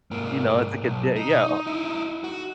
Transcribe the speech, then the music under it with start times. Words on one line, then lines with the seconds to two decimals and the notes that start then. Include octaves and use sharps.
you know? It's a like a d yeah, uh
0.11 G#2 A#3
0.83 B1
1.16 D#4
1.67 D#4 E4
2.24 F#4